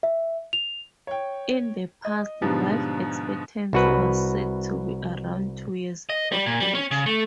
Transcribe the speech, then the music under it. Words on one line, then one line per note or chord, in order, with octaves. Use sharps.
In the past, life expectancy was said to be around two years of age.
E5
F7
C#5 G5
D#5
G#2 B2 D3 F3 G3
C2 F#4 B4
D#5
G3
A#2
G3
C#4
C#3
A3